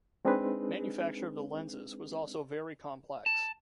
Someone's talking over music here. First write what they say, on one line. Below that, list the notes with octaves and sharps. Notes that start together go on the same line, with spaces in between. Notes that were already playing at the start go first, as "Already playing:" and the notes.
Manufacture of the lenses was also very complex.
G#3 C4 D4 D#4 G#4 B4
A5